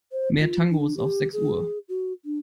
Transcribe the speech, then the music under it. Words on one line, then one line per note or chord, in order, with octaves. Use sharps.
Mehr Tangos auf sechs Uhr.
C5
F4
D4
G4
G#4
F#4
D4